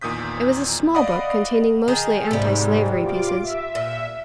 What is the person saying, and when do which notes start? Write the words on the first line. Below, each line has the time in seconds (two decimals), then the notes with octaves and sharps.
It was a small book, containing mostly Antislavery pieces.
0.01 E2 A#2 D#3 D#6 G6 B6
0.95 D5 D#5 F5 F#5 B5 D#6
1.88 D#3 D#4 G#4
2.31 G#2 C3 G3
3.04 F4 D6
3.43 E5
3.75 A#2